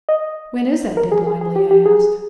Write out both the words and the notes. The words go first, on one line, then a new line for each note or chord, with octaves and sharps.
"When is that deadline?" Lea asked.
D#5
A#4
G#4
G#4
G#4
G4
G4
G#4